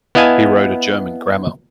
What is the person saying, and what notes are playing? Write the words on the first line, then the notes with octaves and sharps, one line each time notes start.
He wrote a German grammar.
B3 E4 D#5 F5 G#5 A5